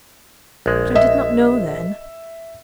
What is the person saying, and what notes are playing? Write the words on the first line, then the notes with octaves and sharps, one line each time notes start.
But I did not know then.
A#1 G#3
D#5 E5